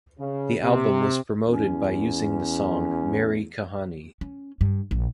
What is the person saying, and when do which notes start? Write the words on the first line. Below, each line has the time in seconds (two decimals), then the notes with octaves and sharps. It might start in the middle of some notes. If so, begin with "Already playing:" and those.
The album was promoted by using the song "Meri Kahani".
0.18 C#3
0.60 C3
1.47 E2 C#4
4.21 C#4
4.61 G2
4.91 A#1